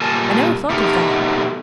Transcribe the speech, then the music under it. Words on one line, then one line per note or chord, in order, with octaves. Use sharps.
"I never thought of that."
A#2 G3 A#4 G#5 A5
B2 A3 D#4 G4 A#4